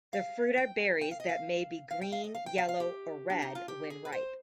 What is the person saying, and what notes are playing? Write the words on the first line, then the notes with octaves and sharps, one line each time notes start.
The fruit are berries that may be green, yellow or red when ripe.
F5
G5
G5
F5
D#5
F5
F5
G5
F5
D#5
F5
G5
F5
F5
G4
D4
D#4
F4
G4
G#4
B4
C5